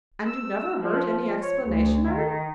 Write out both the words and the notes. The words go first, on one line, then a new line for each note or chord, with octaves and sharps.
"And you never heard any explanation of it?"
E6
F3
C#5
D2
D#3